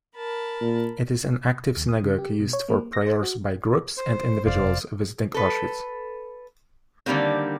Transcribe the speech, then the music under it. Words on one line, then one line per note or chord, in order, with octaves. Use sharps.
It is an active synagogue used for prayers by groups and individuals visiting Auschwitz.
A#4 A5 B5
A#2
D#2
D#6
C#3
G4
B2
C#5
A#3
A#6
C5
F#4
C5
F1 C5 D5 F5
A4 B4
D3 D#3 G3 A#3 C4